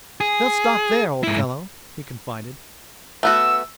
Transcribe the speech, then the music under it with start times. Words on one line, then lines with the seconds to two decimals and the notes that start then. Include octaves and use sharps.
"They'll stop there, old fellow," he confided.
0.20 G#4
1.23 G#2 E4
3.23 A3 B3 F#4 E6